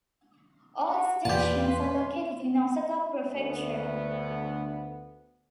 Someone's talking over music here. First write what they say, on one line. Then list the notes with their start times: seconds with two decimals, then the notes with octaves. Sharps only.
All stations are located in Osaka Prefecture.
0.87 F#4
1.25 E2 A#2 F4 G4 B4 D5 A5
1.70 C6
3.33 D2 B3